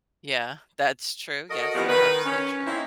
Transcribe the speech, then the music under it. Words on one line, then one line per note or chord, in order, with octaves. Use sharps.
Yeah, that's true. Yes, that's absolutely true.
F#4 A4 A#4 D#5
C3 E3 F3 G3 B3 A#4
D#3 B4
C#4
A#3 C4 C#4 D#4 E4